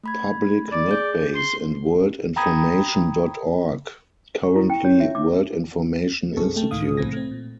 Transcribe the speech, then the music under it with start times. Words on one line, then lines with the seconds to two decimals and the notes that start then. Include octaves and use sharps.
Public Netbase and World-Information.Org, currently: World-Information Institute.
0.04 A3 B5 G#6
0.72 D5
0.89 G#4 G6
1.35 C6
2.36 G5 A#5 B5 D#6 G#6
4.43 C#6
4.56 E4
4.70 G5
4.85 C#5
5.00 E5
5.15 D6
6.36 C2 F#2 C4 G#4 A4 C#6
6.56 A3 G5 A5
6.71 C#2 A2 D#3 E3 F5 D#6
6.97 C2 A2 E3 C4 G#6 A#6
7.12 A3 C4
7.31 A#2